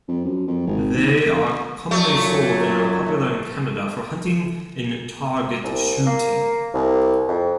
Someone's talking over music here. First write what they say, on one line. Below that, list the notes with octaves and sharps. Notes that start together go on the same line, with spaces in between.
They are commonly sold and are popular in Canada for hunting and target shooting.
F2
F#2
F2
G#1
D#2
F1
F#2 A#2 F#3 A3
C2
A#3
C2
F2